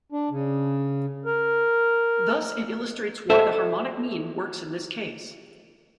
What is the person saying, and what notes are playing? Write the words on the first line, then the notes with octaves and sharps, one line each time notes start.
Thus it illustrates why the harmonic mean works in this case.
D4
C#3
A#4
A4 C5 E5